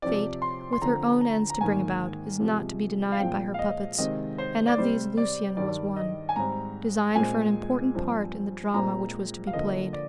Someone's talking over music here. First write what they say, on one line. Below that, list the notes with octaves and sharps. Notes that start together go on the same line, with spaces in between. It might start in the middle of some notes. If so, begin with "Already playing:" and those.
Fate, with her own ends to bring about is not to be denied by her puppets; and of these Lucian was one, designed for an important part in the drama which was to be played.
C3 F3 C4 D5
C6
C6
D3 F3 C4 A#5
A#5
A#5
G#2 D#3 A#3 G#5
C3 F3 G#3
F5
A#2 F3 G#3 C4 G5
F5
D#5
C3 D#3 G#3 C4 D#5
C5
D5
C3 G3 C4 C5
D5
G2 D#3 G3 D5
D#5
G#5
G#2 G3 C4 A#5
A#2 G#3 C4 G#5
G2 F3 C4
A#2 G#3 C4 A#5
F5
D3 F3 A#3 D#5
D5